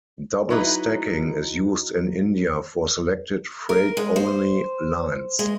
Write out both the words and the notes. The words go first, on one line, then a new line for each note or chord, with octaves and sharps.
Double stacking is used in India for selected freight-only lines.
F#3 D#4 E4 B4
A#4
G#3
C5
G#3